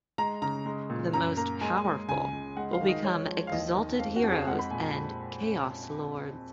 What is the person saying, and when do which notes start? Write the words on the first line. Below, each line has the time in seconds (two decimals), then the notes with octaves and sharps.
The most powerful will become "Exalted heros" and "Chaos lords".
0.18 G#3 A#5
0.42 C#3 A#5
0.66 G#3
0.90 A#2
1.13 F#2 A#5
1.37 A#3 A#5
1.61 G#3 G#5
1.85 G#3
2.09 C#2 G#5
2.33 C#2
2.57 G#3 F#5
2.73 F5
2.81 D#3
2.88 D#5
3.04 G#3 C#5
3.28 F3
3.47 F5
3.52 D#2 D#5
3.75 D#3
3.99 F2 F5
4.16 F#4
4.23 F2
4.31 G#4
4.47 G#3 F#5
4.59 B5
4.71 A#2 G#5